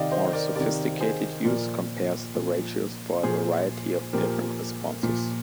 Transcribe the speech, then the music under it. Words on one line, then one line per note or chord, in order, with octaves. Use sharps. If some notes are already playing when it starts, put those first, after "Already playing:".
More sophisticated use compares the ratios for a variety of different responses.
Already playing: C3 D#3 D5 D#5 F5
C5 D#5
A#4 D5
C3 D#3 A#4 D5
G#4 C5
A#2 F3 A#4 D5
A#2 F3
A#2 F3 G#4 C5
A#2 F3 G4 A#4
A#2 F3